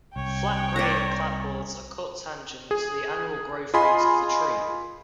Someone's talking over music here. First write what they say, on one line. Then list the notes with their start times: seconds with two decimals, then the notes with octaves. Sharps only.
"Flat-grain" clapboards are cut tangent to the annual growth rings of the tree.
0.16 C2 C#5 G5
0.76 D5 E5 A#5
2.71 G#4
3.74 F4 G#4 D#5 G#5 B5 C6